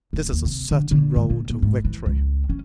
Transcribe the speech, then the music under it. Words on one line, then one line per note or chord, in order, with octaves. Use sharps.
This is a certain road to victory.
D1
D#2
C3
D3
D3
G#2
A#2
A#2
G#2
E3
C#2
C#4